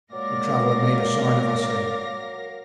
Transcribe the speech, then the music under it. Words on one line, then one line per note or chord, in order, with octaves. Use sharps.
The traveler made a sign of assent.
A#2 F#3 G#3 A#4 D5 F5 A#6